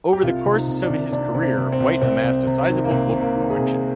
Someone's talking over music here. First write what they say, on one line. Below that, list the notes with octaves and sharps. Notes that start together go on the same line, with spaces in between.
Over the course of his career, White amassed a sizable book collection.
G4
C2 F4
C3
D#4
C2
D4
C2
C3 D4
C3
C4
C3
C4
C2
C2 C4
C2
C3
D#3
A#3
C2 C4
C3
A#3
D#3
G#4
C2